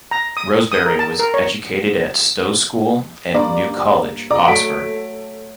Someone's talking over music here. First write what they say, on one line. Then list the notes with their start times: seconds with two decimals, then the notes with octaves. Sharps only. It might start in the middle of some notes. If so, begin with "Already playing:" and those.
Rosebery was educated at Stowe School and New College, Oxford.
0.11 A#5
0.37 D#6
0.72 D#6
0.86 A#4
0.99 A5
1.20 A#4
1.34 C#5
3.34 G2 A#3 D5
4.31 D5 A#5 D6
4.48 F#3 A3 A4 B6 D7